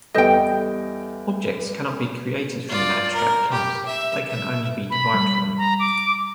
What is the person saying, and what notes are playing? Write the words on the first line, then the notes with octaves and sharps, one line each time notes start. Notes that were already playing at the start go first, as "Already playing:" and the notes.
Objects cannot be created from an abstract class; they can only be derived from.
E2 G3 A4 B4 D#5 G5 G6
F4 D5
A#4
G4
E5
E5
B5
G3
A#5
D6